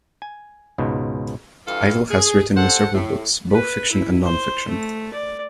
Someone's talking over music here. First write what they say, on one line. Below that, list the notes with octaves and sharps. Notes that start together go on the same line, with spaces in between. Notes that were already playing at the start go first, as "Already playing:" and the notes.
Idle has written several books, both fiction and non-fiction.
G#5
C#2 G#2 B2
G2 E3 F4 A4 F5
G#4
G4 A4 C5 F#5
A2
B4
E4
C5
A3
D5